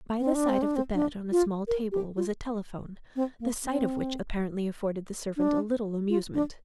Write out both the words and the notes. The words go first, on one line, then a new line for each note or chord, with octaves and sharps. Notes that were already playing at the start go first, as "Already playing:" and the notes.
By the side of the bed on a small table was a telephone, the sight of which apparently afforded the servant a little amusement.
C4
D4
C4
D4
C4
D4
F4
A#4
G4
F4
C4
A#3
C4
D4
F4
D4